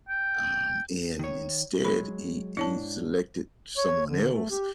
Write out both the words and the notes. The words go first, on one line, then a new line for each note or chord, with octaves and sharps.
um, and instead, he he selected someone else,
G5
D#3 C#5
F#3 G#3 B5
G#2 D4 E4 C#5 A5
C#5
D3
A3
G4